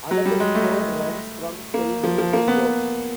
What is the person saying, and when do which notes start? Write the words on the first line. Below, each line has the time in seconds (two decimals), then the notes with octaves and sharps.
Another spur runs from Selby to York.
0.11 F#3
0.25 G3
0.40 G#3
0.55 A3
1.74 A#3
2.04 F3
2.18 F3
2.33 A#3
2.48 B3